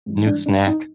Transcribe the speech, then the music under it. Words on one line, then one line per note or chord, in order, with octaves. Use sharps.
New snack.
G#2 E3 G3
D4
D4
D#4